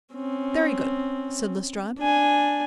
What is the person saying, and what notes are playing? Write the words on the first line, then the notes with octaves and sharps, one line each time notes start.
"Very good," said Lestrade.
C4 C#4
D4 G#5